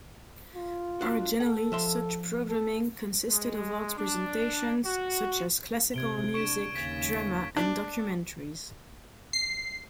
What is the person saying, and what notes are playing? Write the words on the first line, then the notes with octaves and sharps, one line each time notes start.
Originally, such programming consisted of arts presentations such as classical music, drama, and documentaries.
F4
D4 F#4
A4 F#5
F3 E5 C6
A4
G#3
D4
F#4
C3 G#6 D7 G7
D4 C#6 D7 E7
D#2 C#3 G#6 A6 B6
D4
C7